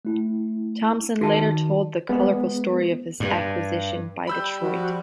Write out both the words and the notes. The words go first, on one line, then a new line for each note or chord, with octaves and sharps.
Thompson later told the colorful story of his acquisition by Detroit.
A3 E4
D#3 F#4 A5
G#3 B3
G2
G3 B5 E6 G6
F3 F#4